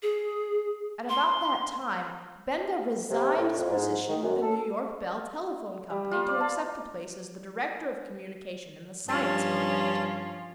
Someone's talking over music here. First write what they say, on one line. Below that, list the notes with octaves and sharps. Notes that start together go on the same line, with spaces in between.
At about that time Benda resigned his position with the New York Bell Telephone Company to accept a place as the Director of Communication in the Science Community.
G#4
C6
C3
A2
F2
G#2
D#3
F#2
A4
G3
F4
D5
A5
G2 F3 C#4 F4 A5